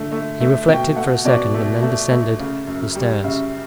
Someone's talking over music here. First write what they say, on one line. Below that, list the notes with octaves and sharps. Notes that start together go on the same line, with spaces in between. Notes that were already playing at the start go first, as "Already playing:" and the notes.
He reflected for a second and then descended the stairs.
Already playing: D3 A3
A3
A3
B2 G5
A3 F#5
B2 D5
A3
A3
A3
C#3
F#2
G3
C#3 E5